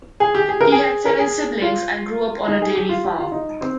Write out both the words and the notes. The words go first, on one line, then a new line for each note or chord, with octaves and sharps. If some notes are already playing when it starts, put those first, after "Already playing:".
He had seven siblings, and grew up on a dairy farm.
G#4
G4
G#4
A#4
G#4
A#4
G#4
F4
D#4
G#4
G4
F4
G4
F4
D#4
C4